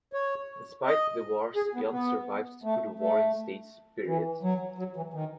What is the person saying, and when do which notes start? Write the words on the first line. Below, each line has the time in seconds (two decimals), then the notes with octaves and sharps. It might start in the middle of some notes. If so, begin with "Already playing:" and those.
Despite the wars, Yan survived through the Warring States period.
0.13 C#5
0.85 D#5
1.56 G#4
1.75 B3
1.92 B3
2.64 A3
2.99 A3
4.07 E3
4.43 F#3
4.78 F#3
4.96 E3
5.14 D#3